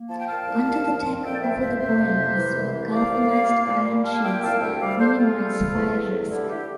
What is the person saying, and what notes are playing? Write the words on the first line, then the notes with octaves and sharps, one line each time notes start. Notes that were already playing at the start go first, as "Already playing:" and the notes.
Under the deck over the boilers were galvanised iron sheets minimise fire risk.
Already playing: A#3
F3 A5
G5
A#2 F5 A5
C2
A#2
F3
A#2
F2 E5 G5
D5
F3 C5 E5
F2 C5 E5
C3 C5 E5
F2
C3
E3
C2
E3
C2 D5 F5
C2
A#3
A#2
A#2
G3
A#3 F5 A5
A#2 E5 G5
C2 F5 A5
D2 E5 G5
G3 D5 F5
G3 A4 C5
C3 F4 A4
G3
G3
E2
E2
A3
D3 E4 G4
D3 E4 G4